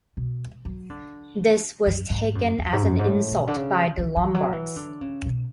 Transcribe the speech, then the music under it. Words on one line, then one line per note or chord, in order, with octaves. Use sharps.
This was taken as an insult by the Lombards.
B2
F#3
D3
F#2
G#2
F#2
E2
G#2
F#2
G#2
A2
B2
D3
C#3
E3
E3
F#3
E3
D3
C#3
B2